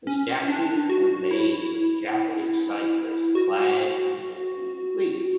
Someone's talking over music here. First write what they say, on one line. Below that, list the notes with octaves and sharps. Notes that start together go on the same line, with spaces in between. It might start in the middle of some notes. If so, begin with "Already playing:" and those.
The statues are made of Japanese cypress clad in gold leaf.
C#4
D4
F#4
E4
F#4